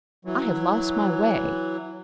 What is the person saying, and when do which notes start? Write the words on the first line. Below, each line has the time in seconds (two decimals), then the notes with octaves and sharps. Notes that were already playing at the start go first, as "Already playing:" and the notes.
'I have lost my way.
0.25 E3 F#3